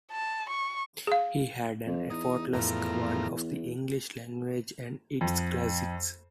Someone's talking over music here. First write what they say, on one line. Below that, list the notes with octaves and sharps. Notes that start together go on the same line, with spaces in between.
He had an effortless command of the English language and its classics.
A5
C#6
G#4 F5
F2
E2 D#4
F2 A2 A#4
F2